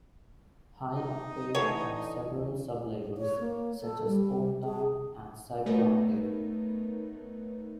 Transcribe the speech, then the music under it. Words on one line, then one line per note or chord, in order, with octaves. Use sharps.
High Octave has several sub-labels, such as OmTown and CyberOctave.
D#4
D3 E3 A3 C#5
C#5
A#3
A4
G3
G#4
A3 B3 D#4 A#4 B4 C#5